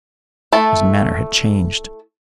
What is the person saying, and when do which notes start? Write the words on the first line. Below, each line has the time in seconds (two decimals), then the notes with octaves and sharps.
His manner had changed.
0.53 A3 E4 A5